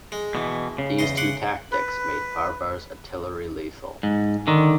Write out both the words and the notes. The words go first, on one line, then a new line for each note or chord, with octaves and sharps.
These two tactics made Babur's artillery lethal.
G#3
B2 E3
C#3
E2 D#5 C6
F#5 C6 D6
B4
G#2
D3 D#3